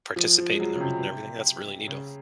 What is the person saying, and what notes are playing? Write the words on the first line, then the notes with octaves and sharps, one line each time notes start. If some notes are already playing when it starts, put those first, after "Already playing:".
Participate in the wreath and everything, that's really neato.
F3
F3
G#3
F#3
C#3
C3
C#3